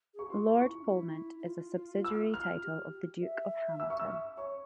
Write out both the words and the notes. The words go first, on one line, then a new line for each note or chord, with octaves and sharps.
Lord Polmont is a subsidiary title of the Duke of Hamilton.
G#4
G4 C#6
F4 C6
E4 C#6
C#4
E4
E4
F4
E6
F6
G4
G4
E5
E6
C#6
E6
C#5 C#6